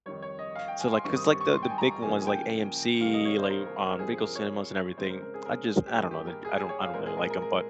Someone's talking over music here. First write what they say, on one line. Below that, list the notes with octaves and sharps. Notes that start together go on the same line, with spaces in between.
So like 'cause like the the big ones, like AMC, like, um, Regal Cinemas and everything, I just I don't know, I don't I don't really like 'em, but
F2 D#3 G3 C#5
C#5
D#5
F5
G5
G#5
C6
G2 D#3 G3 C4 C#6
D#6
C#6
C#6
C6
G5
G#5
A#5
C#3 F3 A#3 G#5
G#5
G5
C3 D#3 G3 A#3 F5
D#5
C#5
C5
A#4
A#4
A#4
G2 F3 C4 G#4
G#4
A#4
C#5
C#3 G#3 C4 C5
A#4
A#4
G#4
A#4
G4
G2 D#3 A#3 G#4
G4
A#4
G#4
G4
G#4
C#5
F5
A#2 G#3 C4 A#4
G#4
A#4
A#4
A#4